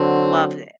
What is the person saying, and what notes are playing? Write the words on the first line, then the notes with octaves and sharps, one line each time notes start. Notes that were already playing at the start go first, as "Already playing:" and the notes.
Love it.
Already playing: D3 F#3 C4